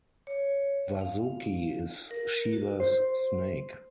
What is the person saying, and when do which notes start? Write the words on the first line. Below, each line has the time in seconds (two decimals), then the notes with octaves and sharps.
Vasuki is Shiva's snake.
0.27 C#5
1.01 F5
2.11 A#4
2.53 F#4
2.80 C5